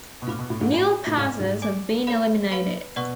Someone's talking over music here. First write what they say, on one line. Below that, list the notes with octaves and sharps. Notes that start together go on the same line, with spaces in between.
Annual passes have been eliminated.
B2
A2 F5 B5 D6 F6
B2
A2
G#2
A2 D5 G#5 B5
A2
G#2 G#4 D5 F5 B5 F6
G#2
D5 G#5 D6
A4 C#5 F5 B5
B4 F5 B5
B2 B4 D5 F#5 C#6